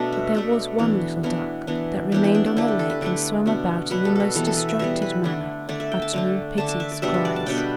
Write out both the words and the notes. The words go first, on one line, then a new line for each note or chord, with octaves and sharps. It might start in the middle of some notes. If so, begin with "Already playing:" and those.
But there was one little duck, that remained on the lake and swam about in the most distracted manner, uttering piteous cries.
Already playing: B2 A3 D4
E5
B2 A3 D4
E3 B3 D4
E3 B3 D4
E3 B3 D4
E3 B3 D4 G4
E4
D4
D4
D3 A3 D4 E4
G4
A4
B4
D3 A3 D4 D5
B2 B3 D4
B2 B3 D4 B4
A4
A4 B4
E3 G3 B3 A4
A4
B4
E5
E3 G3 B3 E5
B4
D3 A3 D4
D3 A3 D4 D5
E5
G5
A5
D3 A3 D4
D3 A3 D4 A5
A5
E5
D5
B2 G3 B3 D4 E5
B4
D5
A5
B2 G3 B3 D4 G5
B4